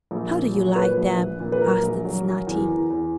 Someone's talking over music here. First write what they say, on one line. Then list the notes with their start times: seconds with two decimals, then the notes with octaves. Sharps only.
'How do you like them?' asked Snati.
0.11 A#1
0.33 A#2
0.54 F#3
0.68 C#5
0.76 A#2 B4
0.97 A#1
1.18 A#1
1.40 A#2
1.52 B4
1.61 F#3 A#4
1.83 A#1
2.05 F#3
2.26 F#3
2.47 E2
2.68 E2
2.90 E2